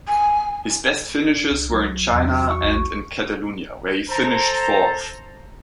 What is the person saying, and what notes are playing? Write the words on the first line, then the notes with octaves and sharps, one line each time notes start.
His best finishes were in China and in Catalunya, where he finished fourth.
G#5
D4
C2
F#3
E2
F#4
C#6
A#1
A4 C5 A#5